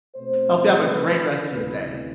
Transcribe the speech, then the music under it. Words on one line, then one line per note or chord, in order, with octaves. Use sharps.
Hope you have a great rest of your day.
B2 A3 C4 C5
B4
D2 C3 E3 G3 B4